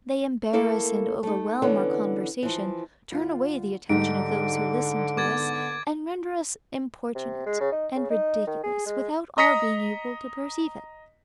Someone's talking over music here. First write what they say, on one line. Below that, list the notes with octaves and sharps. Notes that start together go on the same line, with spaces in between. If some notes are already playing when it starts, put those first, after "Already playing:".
They embarrass and overwhelm our conversation, turn away the attention of those who listen to us, and render us importunate, and ridiculous, without our being able to perceive it.
A3 A#3 E4 A4 A#4
A3 D#4
D3 E3 B3 C#4
E3 F3
D2 F4
G#2 D3 G3 D#4 G4 D7
B3 D6 G#6 A6
C3
G#3
C#3
D#4
C#3
D#4
D#3
G#4
G#3
D#5 A#5 D#6 A#6 B6 C#7